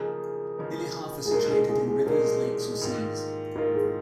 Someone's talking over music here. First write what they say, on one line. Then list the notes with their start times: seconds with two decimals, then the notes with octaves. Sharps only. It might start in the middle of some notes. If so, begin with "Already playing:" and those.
Nearly half are situated in rivers, lakes or seas.
Already playing: C#3 F3 A#3 D#4 G#4 A#4
0.57 C#3 F3 A#3 D#4 A#4
1.26 G#4
1.31 B1 A#2 G#3 D#4 A#4
1.50 G#4
1.69 G#4
1.88 G#4
2.06 B1 A#2 G#3 D#4 A#4
2.81 G#2 D#3 A#3 F4
3.56 G#2 D#3 A#3 F4 A#4
3.74 G#4